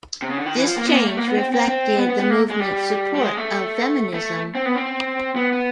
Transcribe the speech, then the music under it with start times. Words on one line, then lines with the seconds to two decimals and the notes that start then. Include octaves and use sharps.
This change reflected the movement's support of feminism.
0.22 C3
0.30 C#3
0.38 D3
0.46 D#3
0.56 E3
0.66 F3
0.77 A#3
0.86 B3
0.96 A#3
1.07 A3
1.17 A#3
1.28 B3
1.38 C4
1.53 C4
1.68 C4
1.98 B3
2.09 B3
2.20 B3
2.30 A#3
2.50 G#3
2.60 G3
3.15 G3
3.21 G#3
3.37 A3
4.14 A3
4.55 C4
4.66 B3
4.76 C4
5.36 B3
5.52 B3